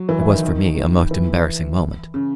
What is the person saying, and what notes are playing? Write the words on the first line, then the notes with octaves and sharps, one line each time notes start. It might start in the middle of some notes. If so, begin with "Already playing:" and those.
It was for me a most embarrassing moment.
Already playing: F#3
E3
E3
D#3
D#3
E3
C#3